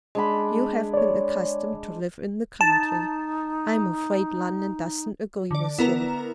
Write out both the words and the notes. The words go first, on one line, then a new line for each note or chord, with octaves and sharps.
"You have been accustomed to live in the country; I am afraid London doesn't agree with you."
G#3 D4 B5
C#5 D5
D#4 A5
D3 D5
B3 E4 A#4 A#5